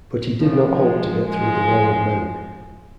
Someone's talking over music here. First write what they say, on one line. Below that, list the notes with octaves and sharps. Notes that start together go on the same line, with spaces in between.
But he did not hope to get through the wall of men.
C#3 F3
F3 G#3
F3 G#3